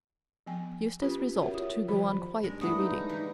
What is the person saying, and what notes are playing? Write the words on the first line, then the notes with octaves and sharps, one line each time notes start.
Eustace resolved to go on quietly reading.
F3 B3 G5 G#5
C#4 F4 G4 B4
F#4 G4 A#4 C#5 E5 F#5
F4 C#5
D#3 F3 G4 C5 B5
G3 G#3 D4 A#4
G#3 A3 B3 E4 D#6
D#4
E3